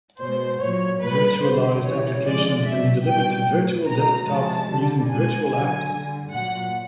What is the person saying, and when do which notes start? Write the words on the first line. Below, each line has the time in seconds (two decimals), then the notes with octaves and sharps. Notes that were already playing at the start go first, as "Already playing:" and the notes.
Virtualized applications can be delivered to virtual desktops using Virtual Apps.
0.20 B2 G#3 C5
0.60 A#2 F#3 C#5
1.00 A#2 G3 B4
1.41 D3 G3 C5
1.82 C#3 E3 G3 C#5
2.23 D3 F3 G#3 D5
2.64 B2 F#3 E5
3.04 B2 G3 G5
3.46 A2 F#3
3.86 B2 G#3 A#5
4.28 C3 F3 G#3 A5
4.69 D3 G3
5.09 B2 G#3 G#5
5.49 D3 F#3
5.91 D3 G3
6.32 A#2 F#3 F#5